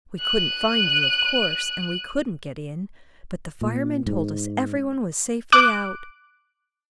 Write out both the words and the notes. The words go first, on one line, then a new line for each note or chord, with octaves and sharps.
'We couldn't find you, of course--and we couldn't get in--but the firemen told us every one was safely out.
F#6 D#7
A#2
G#2
D6 F#6 D7